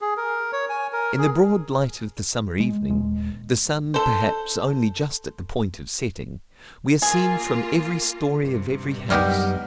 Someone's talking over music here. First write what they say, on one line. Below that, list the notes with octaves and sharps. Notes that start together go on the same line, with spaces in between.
In the broad light of the summer evening, the sun, perhaps, only just at the point of setting, we are seen from every story of every house.
G#4
A#4
C#5
G#5
A#4
G#4
G#3
D#1 G#3
A4 C5
A#3 F4 G#4
G2 C3
F#2 G3 B3 D#4 G4 A#4